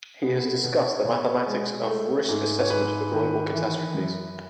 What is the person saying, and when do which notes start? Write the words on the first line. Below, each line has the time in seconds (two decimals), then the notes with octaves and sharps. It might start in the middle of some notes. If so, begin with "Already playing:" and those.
He has discussed the mathematics of risk assessments for global catastrophes.
0.22 B3 G#4
0.43 A4
0.63 B2 B4
0.84 C#5
1.04 B2 C#5
1.46 G#3
1.87 A3
2.29 G#2
2.60 C#5
2.70 G#2 B4
3.12 D#3
3.53 E3
3.94 F#2